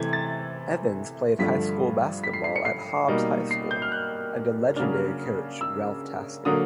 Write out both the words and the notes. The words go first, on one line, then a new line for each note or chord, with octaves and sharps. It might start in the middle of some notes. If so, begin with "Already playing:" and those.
Evans played high school basketball at Hobbs High School under legendary coach Ralph Tasker.
Already playing: C3 E3 A3 G#6
A6
G2 D3 F3 A3 D4 B6
B6
C7
C7
C#7
C7
B2 G3 A#3 D#4
C7
G6
F6
F#6
C#3 F#3 A#3 D4 F6
E6
D3 F#3 A#3 D#6